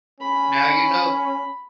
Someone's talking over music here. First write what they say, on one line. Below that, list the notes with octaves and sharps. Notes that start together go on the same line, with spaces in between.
Now you know.
C#4 B5